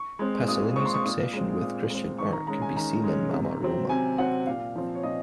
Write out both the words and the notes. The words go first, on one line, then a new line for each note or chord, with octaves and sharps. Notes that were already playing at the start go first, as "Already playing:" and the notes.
Pasolini's obsession with Christian art can be seen in "Mamma Roma".
Already playing: C#6
G#3 C4
A#2 D#6
G#3 C4 C#6
C6
C#6
A#2 D#6
G#3 C4
A#2
G#3 C4
D#3 C#6
A#5
G#3 C#4 A#5
G#5
D#3 A#5
G#3 C#4
C3
F#3 C4
C3 G#5
F#3 C4 F#5
A#2 F5
F3 C4
C#5
A#2 D#5